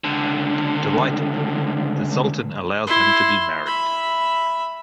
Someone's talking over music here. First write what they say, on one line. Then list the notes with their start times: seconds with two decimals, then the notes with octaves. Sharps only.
Delighted, The Sultan allows them to be married.
0.04 C#2 D3
2.87 E4 C6
3.66 E5 B5